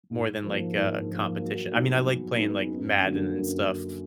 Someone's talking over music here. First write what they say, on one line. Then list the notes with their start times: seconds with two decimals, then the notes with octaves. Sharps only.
more than, like, a competition. I mean, I like playing, like, Madden and stuff,
0.11 G#2
0.43 F3 A#3
0.75 G#2
1.08 F3 A#3
1.40 F#3
1.72 B3 D#4 G#4 B4
2.04 F#3
2.36 B3 D#4 G#4 B4
2.69 F#2
3.01 D3 F#3 A#3 C#4
3.33 F#2